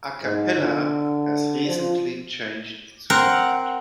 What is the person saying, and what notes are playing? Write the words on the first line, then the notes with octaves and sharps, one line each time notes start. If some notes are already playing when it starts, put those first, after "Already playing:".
Acappella has recently changed its format.
G#2
D3
F3
C4 A#4 F#5